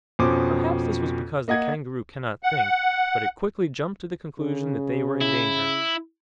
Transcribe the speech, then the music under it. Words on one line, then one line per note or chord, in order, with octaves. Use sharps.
Perhaps this was because the kangaroo cannot think, but it quickly jumped to the conclusion that they were in danger.
F2 B2 C#4 C5 D6
A#3 D#5 F#5 G#6
F#5
C#3
E4